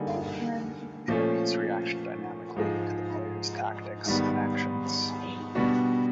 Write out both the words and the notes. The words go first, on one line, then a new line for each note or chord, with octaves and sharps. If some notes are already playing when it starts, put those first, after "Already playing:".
Enemies react dynamically to the player's tactics and actions.
Already playing: D3 G3 A#3 D#4 G#4
A#2 F3 A3 C#4
G#2 F3 G#3
G#2 D#3 G3 B3
B2 G3 B3 D4 F#4